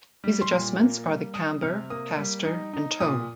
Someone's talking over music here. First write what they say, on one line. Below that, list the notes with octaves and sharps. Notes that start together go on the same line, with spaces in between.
These adjustments are the camber, caster and toe.
G3
C6
A#2
A#3
G3
G3 D#6
C3 F6
A#3 D#6
G3
D#4
D#4
A#2 D#6